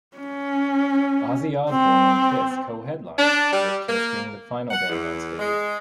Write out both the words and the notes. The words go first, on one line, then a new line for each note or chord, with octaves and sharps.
Ozzy Osbourne and Kiss co-headlined with Kiss being the final band on stage.
C#4
C4
D4
G3
A#3
F#5
E2
G#3